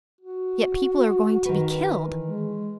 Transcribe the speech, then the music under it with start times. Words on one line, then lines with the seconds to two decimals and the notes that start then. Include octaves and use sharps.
Yet people are going to be killed.
0.21 F#4
1.45 D#3 B4
1.97 E3
2.28 G#3